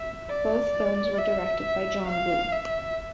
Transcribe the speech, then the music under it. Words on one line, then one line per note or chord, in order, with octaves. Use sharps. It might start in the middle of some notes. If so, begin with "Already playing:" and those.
Both films were directed by John Woo.
Already playing: E5
D5
E5
F5
E5